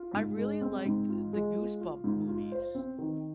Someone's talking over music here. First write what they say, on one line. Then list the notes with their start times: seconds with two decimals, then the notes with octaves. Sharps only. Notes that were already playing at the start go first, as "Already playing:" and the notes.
I really liked the Goosebump movies.
Already playing: F4
0.14 G#2
0.37 G#3
0.61 C4
0.85 G#2
1.09 F4
1.33 G#3
1.56 F4
1.81 F4
2.04 G#2
2.28 F4
2.52 C5
2.75 C4
2.98 D#3